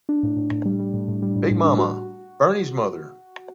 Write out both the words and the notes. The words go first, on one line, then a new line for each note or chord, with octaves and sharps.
Big Mama - Bernie's mother.
D4
A2
A2
A2
G3
G3
A2
A2
G3
A2
A2
D4
F#4